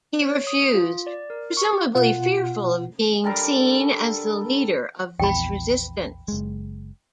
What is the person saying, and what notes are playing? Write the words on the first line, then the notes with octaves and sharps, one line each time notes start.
He refused, presumably fearful of being seen as the leader of this resistance.
C#5
D#6
F4
D5
A#4
C#6
G4
B2 F4 F#5
D3 G3 A4 A#4
A#1 E2 G5 B5
F#1 G#3